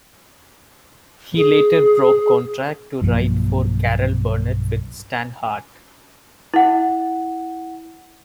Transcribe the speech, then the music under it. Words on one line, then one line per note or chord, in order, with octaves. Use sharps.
He later broke contract to write for Carol Burnett with Stan Hart.
G#4
B1 G2 F3 A#3
E4 F#5